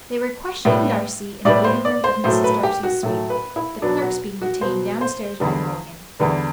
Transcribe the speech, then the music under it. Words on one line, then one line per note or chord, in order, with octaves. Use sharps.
They were questioning Darcy in the living-room of Mrs. Darcy's suite, the clerks being detained downstairs by Mulligan.
A2 G3 B3
A2 G3 B3 D5
C5
D5
C5
A2 F#3 A3 C5
B4
G4
F#4
A2 F#3 A3
B4
E4
B2 F#3 B3 D4
F#4
F#4
B2 F#3 B3 C5
C5
E2 D3 G3 B3
E2 D3 G3 B3